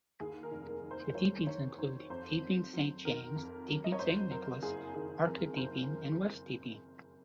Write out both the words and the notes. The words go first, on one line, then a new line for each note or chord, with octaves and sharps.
The Deepings include: Deeping Saint James, Deeping Saint Nicholas, Market Deeping and West Deeping.
D#2 G#4
A#4
F1
A#4
D#3
C5
F#3 C#5
D#3 C#5
D#3 C5
F2 C5
F2
F#3
D#3 A#4
F2
F#3
D#5
C#5
F2 C5
F#3 A#4
F#1 G#4
D#3 G#4
F2 A#4
F#1 C5